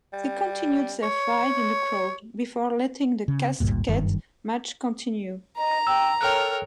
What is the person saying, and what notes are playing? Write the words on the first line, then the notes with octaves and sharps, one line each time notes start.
They continued their fight in the crowd, before letting the casket match continue.
G3
C#5
C#3
G#1 D2 G2 A#2
F#1 G2 D#3
D#5 A#5
G5 E6
A4 A#4 C#5 G5 F6 F#6